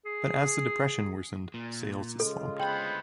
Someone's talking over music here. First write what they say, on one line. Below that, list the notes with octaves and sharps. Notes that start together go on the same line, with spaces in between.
But as the Depression worsened, sales slumped.
G#4
A#2
C#3 G#3 F4 A4
D2 B3 C5 G5 B5